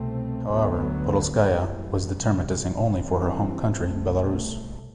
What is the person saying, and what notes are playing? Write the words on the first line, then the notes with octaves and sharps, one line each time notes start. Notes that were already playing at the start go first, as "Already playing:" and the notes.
However, Podolskaya was determined to sing only for her home country Belarus.
Already playing: C2 B2 A3 C4
D2 D3 F#3 B3
F#1 F#2 E3 G3
E2 C3 G3
F#2 E3 G3 C4
C2 B2 A3